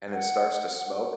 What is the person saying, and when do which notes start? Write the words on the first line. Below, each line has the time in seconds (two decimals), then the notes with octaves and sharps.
and it starts to smoke,
0.12 F#5